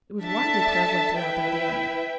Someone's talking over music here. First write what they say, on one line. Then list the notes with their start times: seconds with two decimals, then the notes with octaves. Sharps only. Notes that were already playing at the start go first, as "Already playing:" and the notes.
It was widely prevalent throughout Babylonia.
0.21 D4 A4 E5 A5
1.16 E4 B4 E5 G5